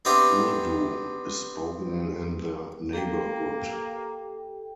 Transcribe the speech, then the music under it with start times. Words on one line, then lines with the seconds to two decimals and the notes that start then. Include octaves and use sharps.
Urdu is spoken in the neighborhood.
0.05 B3 C4 D4 G4 E5 A#5
2.93 A#3 G4 A4 G5